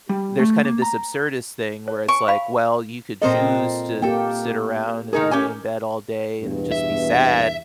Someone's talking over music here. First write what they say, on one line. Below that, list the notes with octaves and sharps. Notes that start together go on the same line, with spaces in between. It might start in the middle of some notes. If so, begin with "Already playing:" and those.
uh, there's kind of this absurdist thing where it's like, well, you could choose to sit around and lay in bed all day and just be sad
G3
A3
A#3
A#5
C#5
G#5 C#6
F5 B5
A#2 C4 A4 A#4 C5 D#5
A#3 G4 A4 G5
D#3 D#4 G#4 A#4
C#4 G4 G#5
E2 G2 B2
E5